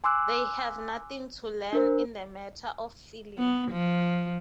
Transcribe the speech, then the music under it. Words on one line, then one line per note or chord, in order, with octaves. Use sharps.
They have nothing to learn in the matter of feeling.
G#5 C6 D6 E6 F#6
D4 A#4 C5
B3
F3